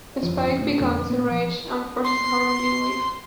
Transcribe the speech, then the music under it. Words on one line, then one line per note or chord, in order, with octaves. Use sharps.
Spike becomes enraged and forces Harmony to leave.
G1 F2 F3
D2 A2
F2 B2 D3 A3
A#2 A#3 B3
F3
C6